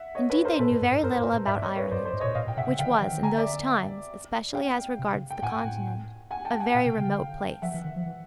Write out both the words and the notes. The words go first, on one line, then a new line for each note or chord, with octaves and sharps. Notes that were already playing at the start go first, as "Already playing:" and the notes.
Indeed they knew very little about Ireland, which was, in those times, especially as regards the Continent, a very remote place.
Already playing: E5 F#5
C#5 D#5
B4 C#5
A#4 C5
A#2 A4 B4
G#2
G2
G#2
G2 A#4 C5
G#2
A2
G#2 D5 E5
C#5 D#5
B4 C#5
G2 C5 D5
C5 D5
G#2
A#2 C#5 D#5
A2 D#5 F5
A2 G5
C3 E5 F#5
C#3
D3 F5 G5
D#3
E3
D#3
D3 G#5 A#5
D5 E5
F5 G5
C3
C#3
G5
A2 F#5 G#5
A2
F#5 G#5
G5 A5
F#5 G#5
A#2 F5 G5
C3
C#3
D3
F3 E5 F#5
E3
D#3
F3
E3